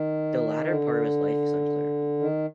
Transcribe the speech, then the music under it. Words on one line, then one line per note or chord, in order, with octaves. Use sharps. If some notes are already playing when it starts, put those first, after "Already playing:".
The latter part of his life is unclear.
Already playing: D#3
D3
D#3